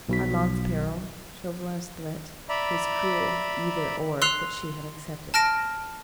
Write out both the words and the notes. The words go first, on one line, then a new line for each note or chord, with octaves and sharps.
Armand's peril, Chauvelin's threat, his cruel "Either--or--" which she had accepted.
B1 B2 B6
D5 E5 A#5 B5
C6 E6 F#6 C7 F7
A5 F6 A#6 D7